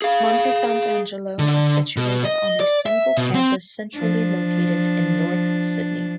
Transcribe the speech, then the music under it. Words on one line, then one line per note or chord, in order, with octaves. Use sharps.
Monte Sant' Angelo is situated on a single campus centrally located in North Sydney.
G#4 F5
D3
B2
D#5
D5
E5
B2
C4
F3 D4